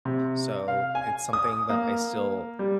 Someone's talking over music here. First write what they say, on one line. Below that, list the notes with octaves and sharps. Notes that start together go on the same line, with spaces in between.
So, it's something that I still
C3
F5
G#5
D#6
A#3
G3